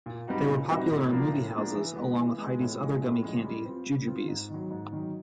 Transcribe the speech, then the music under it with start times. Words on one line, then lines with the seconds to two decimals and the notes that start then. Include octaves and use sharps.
They were popular in movie houses along with Heide's other gummy candy, Jujubes.
0.06 A#2
0.27 G3 C4 D#4 F#4
0.48 A#2
0.69 G3 C4 D#4 F#4
0.90 A2
1.12 F3 A#3 D4
1.32 A2
1.54 F3 A#3 D4
1.75 E3
1.96 G#3 B3
2.17 E3
2.38 G#3 B3
2.59 A2
2.80 F3 G#3 C#4
3.02 A2
3.23 F3 G#3 C#4
3.44 G3
3.65 C4 F4
3.86 G3
4.07 C4 F4
4.28 G#2
4.50 D#3 F#3
4.71 G#2
4.92 D#3 F#3